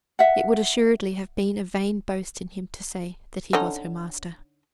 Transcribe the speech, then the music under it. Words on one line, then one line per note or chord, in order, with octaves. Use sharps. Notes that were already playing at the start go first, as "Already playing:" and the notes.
It would assuredly have been a vain boast in him to say that he was her master.
E5 F#5
D3 C#4 D#4